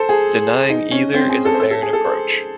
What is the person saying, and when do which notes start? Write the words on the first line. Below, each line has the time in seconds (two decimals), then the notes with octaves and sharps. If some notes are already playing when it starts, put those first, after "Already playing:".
Denying either is a barren approach.
Already playing: A4 C5
0.09 G#4
0.70 D#4
0.91 C#4
1.14 C4
1.29 G#4
1.45 A4
1.54 C5
1.60 A4
1.71 A4
1.83 G#4
1.93 A4
2.04 C5